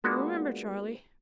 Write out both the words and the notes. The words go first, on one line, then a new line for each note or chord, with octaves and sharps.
You remember, Charley?'
G#3 A#3 B3 D4 F4 F#4